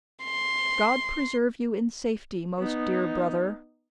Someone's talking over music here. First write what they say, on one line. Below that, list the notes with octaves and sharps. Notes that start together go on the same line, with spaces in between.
God preserve you in safety, most dear brother!
C6
B3 D#4